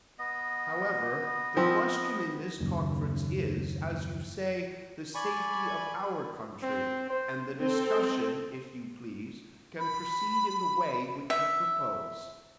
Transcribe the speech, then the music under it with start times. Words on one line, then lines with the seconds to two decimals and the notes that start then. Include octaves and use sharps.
However, the question in this conference is, as you say, the safety of our country; and the discussion, if you please, can proceed in the way which you propose.
0.19 B3 D#5
1.57 F3 C4
2.60 F#1 D#2
5.14 D5 G#5 B5 C#6
6.63 C4
7.10 C5
7.60 C4 A4
9.79 B5
11.30 E5